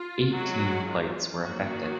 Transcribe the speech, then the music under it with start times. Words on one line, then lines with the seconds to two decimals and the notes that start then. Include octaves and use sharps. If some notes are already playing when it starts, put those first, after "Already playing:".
Eighteen flights were affected.
Already playing: F4
0.32 D#3 F#3 G#3 C#4 F#4
0.88 F4
1.44 D#3 F#3 A#3 C#4 F#4